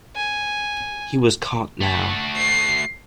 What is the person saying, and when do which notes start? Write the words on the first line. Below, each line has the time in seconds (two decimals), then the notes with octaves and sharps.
He was caught now.
0.16 G#5
1.81 A3 F#4
2.36 C7